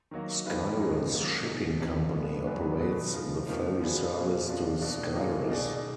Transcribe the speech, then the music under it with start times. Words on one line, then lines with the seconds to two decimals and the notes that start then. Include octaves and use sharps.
Skyros Shipping Company operates the ferry service to Skyros.
0.11 D#3 F#3 A#3
0.46 D#3 A#3 F4 B4
0.78 F#2 F3 G#3 D#4
1.12 G#2 D#3 F#3 A#3
1.46 B2 G#3 D#4
1.80 F2 F3 A#3
2.13 F3 G#3 B3 D4
2.47 G#2 F#3 D4 G#4 B4
2.80 B2 F#3 B3 D4
3.13 F3 G#3 D#4 A#4
3.47 F2 F3 A#3 D#4 A#4
3.81 D3 F3 B3 D4 G#4
4.14 B2 A#3 F4 G#4
4.48 F2 F3 A#3 D4 F4
4.81 B2 A#3 D4
5.15 D#3 A#3 D4 F4 G#4
5.49 B2 A#3 D#4 G#4 D5